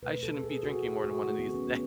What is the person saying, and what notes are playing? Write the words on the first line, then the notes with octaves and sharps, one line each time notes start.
I shouldn't be drinking more than one of these a day."
B2 A3 B4
A4
G#4
F#4
G#4
F#4
D#3 A3 E4
B3
C#4
B3